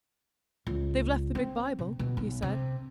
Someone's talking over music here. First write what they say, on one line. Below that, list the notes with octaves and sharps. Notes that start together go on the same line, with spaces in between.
"They've left the big Bible," he said.
C#2
C4
C3
B2
B1
C3